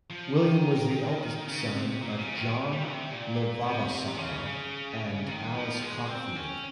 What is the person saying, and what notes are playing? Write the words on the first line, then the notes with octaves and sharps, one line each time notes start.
William was the eldest son of John le Vavasour and Alice Cockfield.
F3
D#3
C#3
C3
A#2
C#3
D#3
G3
C3
A#2
C3
C#3
C#3
D#3
F3
G#3
C4
C#4